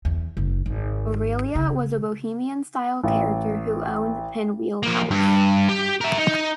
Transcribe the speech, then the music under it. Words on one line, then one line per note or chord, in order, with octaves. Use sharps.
Aurelia was a bohemian-style character who owned Pinwheel House.
E2
F#1
G#1
C#3
A1
F3 A#3
G2
G4
A#4 E5
D#4